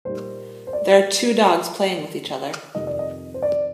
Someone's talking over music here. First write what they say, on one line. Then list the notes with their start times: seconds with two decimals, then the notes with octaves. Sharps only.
There are two dogs playing with each other.
0.05 A#2 G3 A#3 D#4 C5
0.67 C5
0.73 D5
2.75 F2 C3 D#3 D#5
2.87 D5
2.99 D#5
3.34 C5
3.42 D5